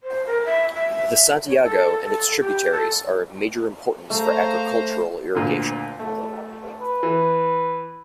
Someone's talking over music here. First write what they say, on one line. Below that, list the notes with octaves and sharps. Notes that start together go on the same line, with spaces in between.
The Santiago and its tributaries are of major importance for agricultural irrigation.
C5
A#4
E5
E5
C#5
A4
A4
G4
A4
A3 C5 F5 A#5
D2 A#2 D3
A3
B4
E3